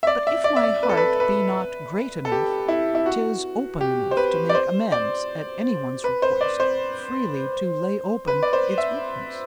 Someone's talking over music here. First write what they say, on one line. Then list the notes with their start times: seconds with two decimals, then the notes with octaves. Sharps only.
But if my heart be not great enough, 'tis open enough to make amends, at any one's request, freely to lay open its weakness.
0.03 E5
0.07 D5
0.27 E5
0.44 D5
0.56 E5
0.63 D5
0.83 B4
0.89 A4
0.97 B4
1.20 B4
2.25 A4
2.32 G4
2.68 E4
2.95 E4
3.06 F#4
3.81 G4
4.11 C5
4.17 B4
4.49 D5
4.55 C5
4.92 D5
6.04 B4
6.22 C5
6.41 D5
6.60 C5
8.28 B4
8.43 D5
8.53 C5
8.78 E5